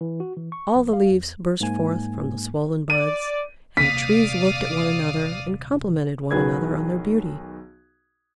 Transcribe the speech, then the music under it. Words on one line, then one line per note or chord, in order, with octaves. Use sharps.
All the leaves burst forth from the swollen buds, and the Trees looked at one another and complimented one another on their beauty.
E3
F#4
E3
C#6
A#1
F5
E2
G#2 A#3 G#5
D5 D#7
D#1 C3 A#3 D5 F5 D#6 B6
B1 D#3 F#4 G#4 B4 G#6